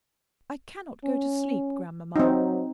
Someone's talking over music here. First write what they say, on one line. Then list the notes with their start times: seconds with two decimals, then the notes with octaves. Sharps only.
"I can't go to sleep, grandmamma."
1.04 C#4
2.16 F#3 C4 D#4